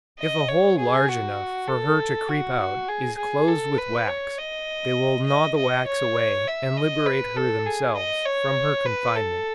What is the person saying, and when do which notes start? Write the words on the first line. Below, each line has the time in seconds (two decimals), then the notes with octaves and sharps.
If a hole large enough for her to creep out, is closed with wax, they will gnaw the wax away, and liberate her themselves, from her confinement.
0.20 D#5
0.48 C#5
0.79 G#4
1.09 F#4
1.68 A4
2.29 F#4
2.89 G#4
3.18 G#4
3.48 A4
3.78 B4
4.08 C#5
4.38 D#5
5.27 D#5
5.57 D#5
5.87 C#5
6.47 E5
6.77 D#5
7.06 B4
7.37 A4
7.66 G#4
7.96 D#5
8.25 C#5
8.86 B4
9.16 A4